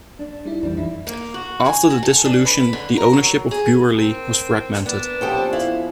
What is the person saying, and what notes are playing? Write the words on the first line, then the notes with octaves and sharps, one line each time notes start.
After the Dissolution the ownership of Bewerley was fragmented.
D4
G3 D#4 E4
A#1 F2 E3 G3 D4
F#2 E3 D#4 E4
A#3
F#4
G#5
F#4
A4
D4
B4
D3
A#4
F#3
G#4
C4 A#4
B3 D4
F3 B3 C#4 G4 A4 C5
E4 F5